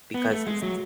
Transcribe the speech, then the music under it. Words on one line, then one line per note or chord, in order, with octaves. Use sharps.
because it's
B3
A3
G#3
F#3